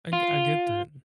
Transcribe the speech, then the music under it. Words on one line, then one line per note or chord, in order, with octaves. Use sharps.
I I get that.
F4